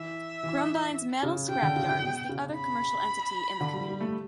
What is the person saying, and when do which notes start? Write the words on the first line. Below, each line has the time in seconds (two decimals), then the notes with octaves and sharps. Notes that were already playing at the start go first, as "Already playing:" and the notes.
Grumbine's Metal Scrap Yard is the other commercial entity in the community.
Already playing: E3 E5
0.43 E3
1.23 C#3
1.49 C#3 G5
1.62 D3
1.76 C#3
1.89 C#3
2.02 B2
2.29 C#3
2.55 B5
3.61 D3
3.74 G3
3.87 G3
4.00 A3